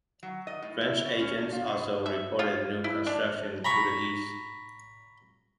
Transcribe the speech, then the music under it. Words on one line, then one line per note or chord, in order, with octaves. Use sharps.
French agents also reported new construction to the east.
F#3
D#5
A2
E4
B2
C#4
D4
F4
B2
E5
F4
E4
D4
A#5 B5 C#6